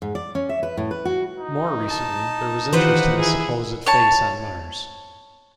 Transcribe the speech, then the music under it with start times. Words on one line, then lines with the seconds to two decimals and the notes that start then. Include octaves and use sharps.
More recently, there was interest in the supposed Face on Mars.
0.02 G#2
0.15 D5
0.35 C#4
0.49 E5
0.63 B4
0.77 A2
0.91 B4
1.05 F#4
1.40 D#4
1.88 A5
2.73 D#3 E3 F4 G4 B4 C5 F#5
3.18 E4 G#4
3.86 C#5 A5